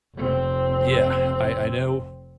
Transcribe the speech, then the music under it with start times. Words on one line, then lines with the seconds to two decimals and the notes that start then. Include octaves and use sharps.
Yeah, I I know
0.15 F1 C4